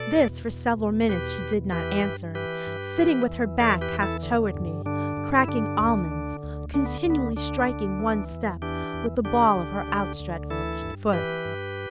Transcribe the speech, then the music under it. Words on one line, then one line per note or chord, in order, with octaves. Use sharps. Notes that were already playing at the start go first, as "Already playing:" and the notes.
This, for several minutes, she did not answer, sitting with her back half toward me, cracking almonds, continually striking one step with the ball of her outstretched foot.
Already playing: B2 A4 D5
E2
B2
E2
B2 G4 B4
E2
E3 G4 B4
G2
E3 G4 B4
G2
E3
E2
E3 A4 D5
G4 B4
E2
E4 A4
D3
G2
D3 D4
G2
E4
D3 D4
D2
D3
D2
D3 D4
B3
D2 B3
D3 D4
D2
E3
E2
E3 D4 G4
E2
D3 D4 G4
D2
D3
D2
E3 E4 A4
G2
E3 G4 B4
G2